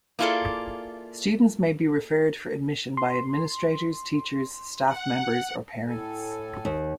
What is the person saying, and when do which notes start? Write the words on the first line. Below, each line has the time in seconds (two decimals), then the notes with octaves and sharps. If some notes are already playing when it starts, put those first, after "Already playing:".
Students may be referred for admission by administrators, teachers, staff members or parents.
0.19 A#3 E4 F4 G#4 A4 D5
2.97 C6
4.88 F#5
5.88 A2 A4 G#5
6.65 D#2